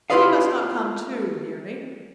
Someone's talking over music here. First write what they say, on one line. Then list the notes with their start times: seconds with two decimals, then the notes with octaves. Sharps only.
But he must not come too near me!'
0.10 E4 F4 B4 D#5 F5